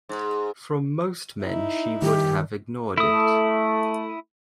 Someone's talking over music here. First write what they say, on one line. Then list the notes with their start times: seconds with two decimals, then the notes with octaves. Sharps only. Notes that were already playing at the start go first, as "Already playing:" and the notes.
From most men she would have ignored it.
0.09 G#2
1.43 D#4 E4
2.02 D#3 G3 G4
2.98 A3 E4 D#6